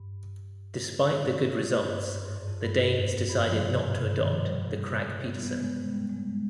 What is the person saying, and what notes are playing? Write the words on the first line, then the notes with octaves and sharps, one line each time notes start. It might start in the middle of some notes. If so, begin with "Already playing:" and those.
Despite the good results, the Danes decided not to adopt the Krag-Petersson.
Already playing: G2
G#2
G2
G#2
G2
F2
G2
F2
G2
G#2
G#2
G2
F3
C3
B2
G#2
G2
D#3
F3
G3
G3
B3
B3
G#3
G3
G3
G#3